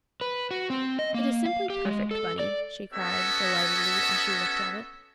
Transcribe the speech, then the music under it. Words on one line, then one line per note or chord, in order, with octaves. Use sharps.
"It is simply perfect, Bunny," she cried, delightedly, as she looked at it.
B4
F#4
C4
D#5
A#3
F5
G4
G#3
A4
D5
B3 C#4 F#4 A4 D#5 E5